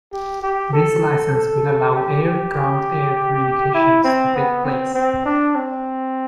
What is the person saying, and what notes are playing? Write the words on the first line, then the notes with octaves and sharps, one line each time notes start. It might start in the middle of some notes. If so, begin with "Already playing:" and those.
This license will allow air-ground-air communications to take place.
G4
G4
A4
A4
G4
G4
E4
C4
B3
C4
C4
D4
C4